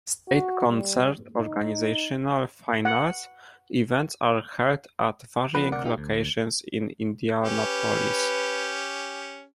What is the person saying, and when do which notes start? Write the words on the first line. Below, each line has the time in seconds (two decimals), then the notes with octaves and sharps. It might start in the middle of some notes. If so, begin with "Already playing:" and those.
State Concert Organizational Finals events are held at varying locations in Indianapolis.
0.28 F#4
0.69 G3
1.38 D#4
2.85 F#5
5.55 D3 F3 B3 B4
5.72 D2 C3 A#4 D5 F#5
5.84 D#4 F4 G4
5.98 D2
7.44 C#4 G4 B4